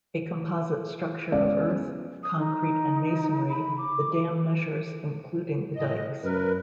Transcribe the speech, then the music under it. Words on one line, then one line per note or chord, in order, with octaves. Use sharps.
A composite structure of earth, concrete and masonry, the dam measures including the Dykes.
G#3 B3 C#4 D5
D#6
D#4
B5
D6
A2 D#5
F#2 A#4 B4